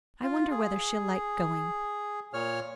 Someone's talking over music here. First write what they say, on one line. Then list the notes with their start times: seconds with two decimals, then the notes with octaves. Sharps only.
I wonder whether she'll like going.
0.23 F4
0.51 G#4
2.33 A#2 C#5 F6